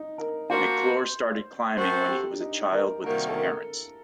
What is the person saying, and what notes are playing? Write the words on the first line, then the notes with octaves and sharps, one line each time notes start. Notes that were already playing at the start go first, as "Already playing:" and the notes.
McClure started climbing when he was a child with his parents.
Already playing: D#4
A#4
A#3 D4 F#4 A#4 C5
A3 C4 F#4 A4 A#4 C5
G4
D4
D#4
A#4
C3 D#3 G3 A#3 F#4 A#4
A4
A#4